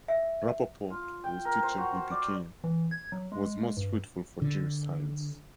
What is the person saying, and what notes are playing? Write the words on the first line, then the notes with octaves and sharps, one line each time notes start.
Rapoport, whose teacher he became, was most fruitful for Jewish science.
E5
F4
G5
A#4
C5
F#4
C5
D5
E3
G#6
F#3
G#3
G2
D3